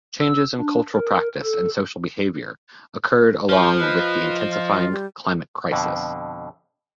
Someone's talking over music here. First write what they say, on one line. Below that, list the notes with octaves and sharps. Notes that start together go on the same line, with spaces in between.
Changes in cultural practice and social behaviour occurred along with the intensifying climate crisis.
E6
D4
A#4
A4
F3 C5
B4 D#5
F4
G3
F2 B2 D3